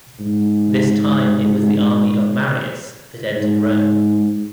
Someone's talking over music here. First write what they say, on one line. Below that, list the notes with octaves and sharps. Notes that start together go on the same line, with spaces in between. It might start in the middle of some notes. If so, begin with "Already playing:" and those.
This time it was the army of Marius that entered Rome.
G#2
G#2